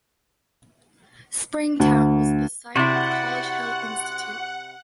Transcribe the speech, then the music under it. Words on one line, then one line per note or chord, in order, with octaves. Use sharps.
Springtown was the site of College Hill Institute.
D2
C3 E4 F#4 C5 D5 F#5